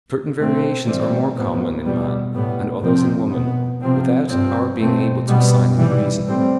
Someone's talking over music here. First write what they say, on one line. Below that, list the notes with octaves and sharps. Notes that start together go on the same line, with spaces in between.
Certain variations are more common in man, and others in woman, without our being able to assign any reason.
B2 A3 C4
A2 E3 G3 C4
A2 F3 B3
B2 G3 B3
A2 G3 B3
F2 C3 F3 C4
B2 B3
C3 F3 C4
G2 F3 C4
B2 A3 C4
B2 G3 B3
C3 E3 G3
A2 G3 C4